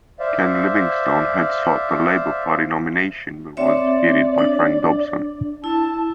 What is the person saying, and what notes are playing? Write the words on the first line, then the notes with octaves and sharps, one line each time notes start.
Ken Livingstone had sought the Labour Party nomination but was defeated by Frank Dobson.
C5 D5 E5 F5
C4 C#5 D5 E5
D4
E4 A5